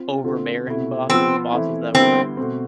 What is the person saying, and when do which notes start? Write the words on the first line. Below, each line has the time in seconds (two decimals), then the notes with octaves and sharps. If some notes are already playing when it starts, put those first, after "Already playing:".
overbearing bosses. Bosses that were
Already playing: C4 F4
0.24 D3 A3 C4 F4
0.67 B2 A3 E4
1.09 F3 B3 C4 F4
1.52 E3 A3 C4 E4
1.95 D3 G3 B3 C4 E4
2.37 B2 A3 C4